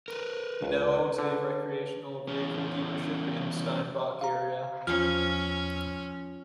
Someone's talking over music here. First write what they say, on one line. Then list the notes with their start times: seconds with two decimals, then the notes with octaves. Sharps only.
He now owns a recreational vehicle dealership in the Steinbach area.
0.08 A#4 B4
0.62 C#2
1.19 D3
2.28 E2 C#4
4.21 F5 A#5
4.87 E2 F3 C#4 F6